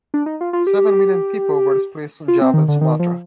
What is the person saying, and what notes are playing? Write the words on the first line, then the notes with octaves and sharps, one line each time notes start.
Seven million people were displaced on Java and Sumatra.
D4
D#4
F4
F4
G4
F4
C4
D#3
D3
D#3
F3